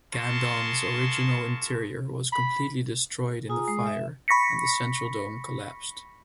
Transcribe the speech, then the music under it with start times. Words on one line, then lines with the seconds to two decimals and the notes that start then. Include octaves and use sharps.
Gandon's original interior was completely destroyed in the fire and the central dome collapsed.
0.13 F4 G#4 A#4 A5 C6 C#6
2.32 B5
3.50 F4 G#4 A#5
3.68 G#3
3.87 E5
4.28 B5 C#6 A#6 B6 C#7